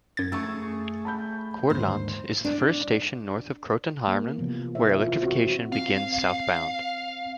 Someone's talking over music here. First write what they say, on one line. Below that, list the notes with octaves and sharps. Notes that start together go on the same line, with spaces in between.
Cortlandt is the first station north of Croton-Harmon, where electrification begins southbound.
F#2 G#6 A6
A3 G#4 C#6 E6
A5 B5 G6
D#2 G#2 D3 C5
D4
A#3
C3 E3 F3 B3
E4 A#4 B4 C#5 E5
F4 C5
C4 F#4 C5
C4 F5